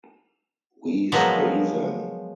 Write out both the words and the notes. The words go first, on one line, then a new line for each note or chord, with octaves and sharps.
We spay them.
F3 F#3 G#3 B3 A#4